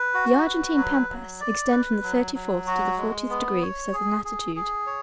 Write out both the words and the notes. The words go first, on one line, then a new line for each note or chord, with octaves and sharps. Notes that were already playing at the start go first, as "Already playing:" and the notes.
THE Argentine Pampas extend from the thirty-fourth to the fortieth degree of southern latitude.
Already playing: B4
F#4
B4
F#3
F#3
D5
B4
F#3
F#3
F#4
G#3
B3
C#5
G#4
G#4
G#4
C#5